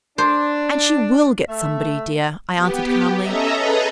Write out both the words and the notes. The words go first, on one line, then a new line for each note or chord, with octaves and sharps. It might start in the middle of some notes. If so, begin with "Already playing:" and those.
'And she will get somebody, dear,' I answered, calmly.
D4 C5
A3 E5
B3 G4
C#4 A4 D#5 E5 A#5
G#4 A4 B4 D#5 A5 A#5